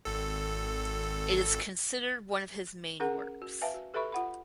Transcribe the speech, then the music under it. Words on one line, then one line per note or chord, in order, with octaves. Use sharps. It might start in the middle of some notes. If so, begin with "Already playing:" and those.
It is considered one of his main works.
G#1 A4
C#4 G#4 A#4 F#5 A#5
F#4
B4 E5 F5 G#5 A5
F#4
G4 A4 B4 E5 B5 C#6
F4 F#5 B5